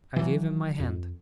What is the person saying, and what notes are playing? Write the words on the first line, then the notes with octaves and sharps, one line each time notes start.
I gave him my hand.
E3 F#3
F2